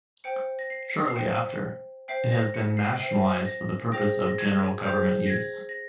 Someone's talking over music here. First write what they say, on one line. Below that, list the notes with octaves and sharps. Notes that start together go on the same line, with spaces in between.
Shortly after, it has been "nationalized" for the purpose of general government use.
C5 G5 C#7
A#6
C7
C7
C5 G5 C#7
C5 E5 G5 C7
A#6
C#7
C7
C5 E5 G5 C7
A#6
G#4 C5 G5 A#6
A#6
G#6
G#4 C5 G5 G6
A#6
G#6
A#6